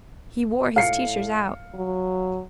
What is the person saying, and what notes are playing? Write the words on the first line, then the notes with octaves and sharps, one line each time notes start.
He wore his teachers out.
A2 F5 C7 C#7
F#3